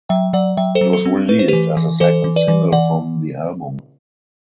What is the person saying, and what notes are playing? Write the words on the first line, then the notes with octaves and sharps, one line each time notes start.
It was released as the second single from the album.
F#3 E5 G5
F#3 D5 F#5
F#3 E5 G5
A4 C5
F#3
A4
C4
A3 B4
C5
E3 G4 B4
E3
E3 A4 C5
E3
B4 D5
E3
E3 D5 F#5